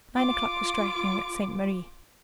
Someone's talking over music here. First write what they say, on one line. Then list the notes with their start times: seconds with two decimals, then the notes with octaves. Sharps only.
Nine o'clock was striking at Saint-Merri.
0.16 F4 D6